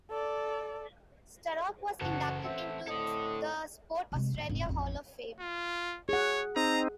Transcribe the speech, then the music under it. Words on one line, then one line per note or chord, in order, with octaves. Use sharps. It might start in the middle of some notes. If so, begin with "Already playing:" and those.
Sturrock was inducted into the Sport Australia Hall of Fame.
A4 D5
F#1 E3 F#4 A4
C4 E5 F#5
A2 A4 D5 D#5
C3 G#3
D#2 A2
F1 G#2
A1 F2
F4
G#4 C#5 F#5
C4 D#4 A#5